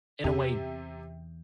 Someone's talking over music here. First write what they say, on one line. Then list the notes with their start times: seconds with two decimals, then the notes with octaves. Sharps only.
in a way,
0.24 E2 C3 G4